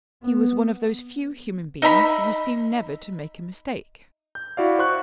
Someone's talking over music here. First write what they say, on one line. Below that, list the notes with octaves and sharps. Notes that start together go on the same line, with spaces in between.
He was one of those few human beings who seem never to make a mistake.
B3
D#4 E5 A#5 B5
G6
E4 F#4 D5 F5
C5 C#6 F#6